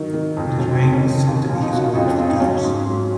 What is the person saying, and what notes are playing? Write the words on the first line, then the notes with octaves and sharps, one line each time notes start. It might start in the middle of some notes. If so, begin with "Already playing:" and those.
The rain is said to be his wife's tears.
Already playing: D#3 F#3
D#3
F2
F#3 C#4
C4
D#3 C4
C#4
D#3
D#2
F3 C#4
D#4
C#3 F#4
F4
F2 D#4
C#4
C#3 C4
D#4
F#3 C#4
G#2
F#3